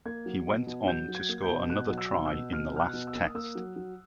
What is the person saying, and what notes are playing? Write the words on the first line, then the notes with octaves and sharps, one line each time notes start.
He went on to score another try in the last Test.
A#3 G#6
F#3
B2
B2
F#3 G6
F#3
G#6
A#3
G6
B2
B2 F#6
F#3
E6
B2
E6
B2
B2 F6
B2 F6
F#6
B2
E6
A#3
D#6
A#3 E6
F#3
F#3